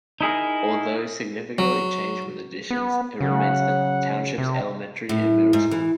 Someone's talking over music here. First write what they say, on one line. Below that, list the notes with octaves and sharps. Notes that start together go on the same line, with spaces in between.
Although significantly changed with additions, it remains the township's elementary and middle school.
D#4 E4 G#4 A#4
F#3
B3
C#3 F#3 F#5
C3
A2
G#2
E3